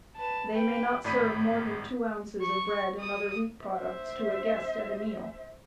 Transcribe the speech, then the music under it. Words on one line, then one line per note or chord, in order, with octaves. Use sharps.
They may not serve more than two ounces of bread and other wheat products to a guest at a meal.
B4 A5
B4 G5
G#1 A2 D5 B5 B6 D#7
C#6
D#6
C5 E5